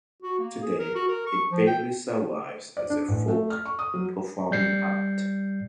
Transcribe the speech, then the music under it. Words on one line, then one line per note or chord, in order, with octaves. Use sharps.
Today it barely survives as a folk performing art.
F#4
A#3
G#4
A#4
F#4
A#4
C#6
F3
G5
D5
D4
A1
A3
F6
C#6
D#6
F#3
G3 G6 C7 C#7